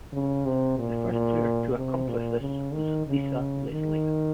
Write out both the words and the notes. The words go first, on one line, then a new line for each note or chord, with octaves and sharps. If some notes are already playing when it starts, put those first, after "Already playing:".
The first player to accomplish this was Lisa Leslie.
C#3
C3
A#2
A#2
C3
A#2
C#3
D#3
C#3
D#3